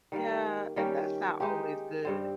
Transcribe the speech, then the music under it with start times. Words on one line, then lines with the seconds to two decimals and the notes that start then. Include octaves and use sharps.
Yeah, and that's not always good.
0.12 D#3 G3 A#3
0.76 D#3 G3 C#4 G4
1.40 G#3 D#4 G4
2.05 G2 G3 C4